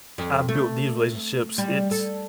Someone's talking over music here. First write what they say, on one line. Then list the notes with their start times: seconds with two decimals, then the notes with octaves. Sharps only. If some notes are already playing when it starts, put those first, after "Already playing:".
I've built these relationships, it's
0.18 F2
0.49 A3
1.58 G3
1.91 A4